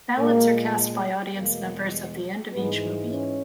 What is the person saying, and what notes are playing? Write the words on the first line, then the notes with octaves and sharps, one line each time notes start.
Ballots are cast by audience members at the end of each movie.
A#2 G#3 A#3
E2 B2 G#3 A#3
G#2 E3 G#3 B3
C#4